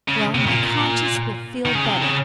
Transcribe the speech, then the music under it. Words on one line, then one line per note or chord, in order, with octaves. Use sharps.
"Well, my conscience will feel better."
C#3
C3
A#2
D#3
C#3
C3
C#3